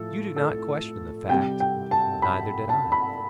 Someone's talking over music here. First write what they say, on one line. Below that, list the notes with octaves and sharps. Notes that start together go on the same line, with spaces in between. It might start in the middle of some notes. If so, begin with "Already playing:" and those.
You do not question the fact; neither did I.
Already playing: A2 F3 A4
A4
C3 G3 G5
G5
A5
B5
A5
B5